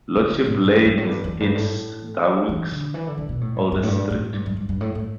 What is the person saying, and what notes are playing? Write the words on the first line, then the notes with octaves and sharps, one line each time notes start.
Lordship Lane is East Dulwich's oldest street.
D3
D3
A2
G2
E2
G2
A2
G2
E2
G2
A2
E3
D3
E3
D3
D3
B2
A2
G2
G2
A2
G2
A2
G2
G2
G2
G2
A2
A2